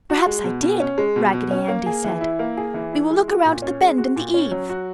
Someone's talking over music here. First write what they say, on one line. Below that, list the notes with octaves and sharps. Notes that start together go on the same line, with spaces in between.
"Perhaps I did!" Raggedy Andy said, "We will look around the bend in the eave!"
F#4
G#3
B2
B2
C#4
G#3
B2
B2
C#4
A#3
G#4
E3
E4
A#3
G#4
E3
E4
G#3
F#4
A#2
C#4
G#3
F#4
A#2
C#4
F#3
F#4